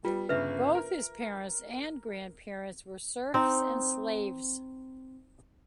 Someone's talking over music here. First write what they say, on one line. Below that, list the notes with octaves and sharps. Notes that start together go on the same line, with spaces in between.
Both his parents and grandparents were serfs and slaves.
G3 B3 F4
G1 C#3 B4 E5
A#4
C4 D#4